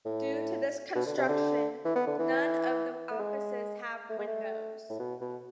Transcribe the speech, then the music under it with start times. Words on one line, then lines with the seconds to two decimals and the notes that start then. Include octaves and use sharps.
Due to this construction, none of the offices have windows.
0.05 A2
0.95 B2
1.06 D3
1.18 C3
1.28 D3
1.85 E3
1.96 B3
2.07 D3
2.19 E3
3.11 A3
3.19 G#3
4.09 A3
4.19 G#3
4.28 A3
4.90 A2
4.99 B2
5.21 B2